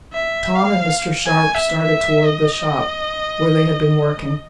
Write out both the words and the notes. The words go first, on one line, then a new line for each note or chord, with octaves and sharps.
Tom and Mr. Sharp started toward the shop where they had been working.
E5
F5
G#5
E5
E5
D#5